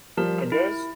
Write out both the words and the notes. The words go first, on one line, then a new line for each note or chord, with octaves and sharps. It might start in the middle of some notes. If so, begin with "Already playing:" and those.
I guess.
F3 G3 A#4
E4